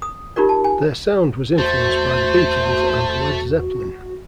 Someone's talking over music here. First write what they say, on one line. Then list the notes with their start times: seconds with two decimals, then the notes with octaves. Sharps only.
Their sound was influenced by The Beatles and Led Zeppelin.
0.02 D#6
0.36 D#4 F4 G4 A#4 D5
0.49 A5
0.64 G#5
1.58 E2 A3 F#4 C5